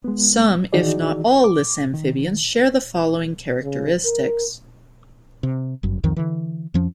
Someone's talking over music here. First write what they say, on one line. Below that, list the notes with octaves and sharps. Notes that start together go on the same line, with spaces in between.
Some, if not all, lissamphibians share the following characteristics.
G#3 B3
D#3 E3 D#4 F#4 G#4 D5
D6
D#3
C#3
A#4
C3
G1 F#2
C2 F2 D#3 F3
D3 E3
F2 F3 C#4